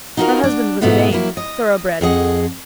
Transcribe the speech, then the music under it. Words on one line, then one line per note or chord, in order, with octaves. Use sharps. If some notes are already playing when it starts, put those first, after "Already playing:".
Her husband was a Dane, thoroughbred.
D#4 F4 F#4 A4 A#4 F5
D4
G#2 B2 A3 B3 E4 F4
F#3 A#3 E4
D#5
F2 G#4 D#5 F#5